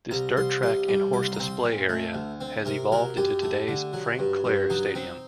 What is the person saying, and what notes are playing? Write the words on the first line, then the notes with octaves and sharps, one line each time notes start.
This dirt track and horse display area has evolved into today's Frank Clair Stadium.
C2 A#5
C2 C6
C3 C6
G3
C2 D6
C6
A#5
C4 C6
A#2
A3
D2
C4
C3 A#4
F#3 A#4
F#2 G4
A3
D3
F#3
G2
G2
F#3 D#4
C4